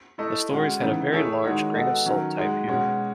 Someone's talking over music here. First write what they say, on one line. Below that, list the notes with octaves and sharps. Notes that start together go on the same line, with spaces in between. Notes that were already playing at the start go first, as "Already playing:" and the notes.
The stories had a very large grain-of-salt-type humor.
A3 E4 A4 D#5
G#3 C#4 F#4
C#3 E3 B3 D#4
A3 E4 G#4 C#5 E5
D#3 G#3 D#4 F#4 C#5
B3 F#4 A4 D#5
D#3 F#3 C#4
G#3 D#4 F#4
B2 G#3 C#4 F#4 C#5